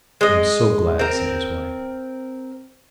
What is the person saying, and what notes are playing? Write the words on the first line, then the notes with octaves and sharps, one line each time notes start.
"I am so glad," said his wife.
G#3 D#5
C4 A#4